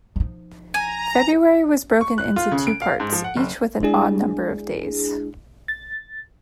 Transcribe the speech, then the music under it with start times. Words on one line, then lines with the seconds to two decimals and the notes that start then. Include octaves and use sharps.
February was broken into two parts, each with an odd number of days.
0.16 F3 D#4
0.74 G#5 A#5
2.01 C#6
2.18 F#6
2.36 F4
2.51 C#3
2.67 D7
2.82 F5
3.00 G#2
3.12 F3
3.24 F#5
3.37 F#1
3.83 G#3 D4 E4 G#4
5.68 A6